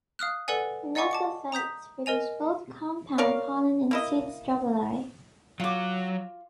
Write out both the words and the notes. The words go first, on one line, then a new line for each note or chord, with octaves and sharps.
Gnetophytes produce both compound pollen and seed strobili.
F5 D#6 F6 F#6
A4 B4 D5 F#5 G#5
D5 D#5 F#5 G#5 C#6 D6
A5 D6 C#7
A#5 D#6 G6 B6
A#4 D#5 G#5 F7
A#4 C#5 D5 F5
A#3 E4 D#5
F#3 F4 D6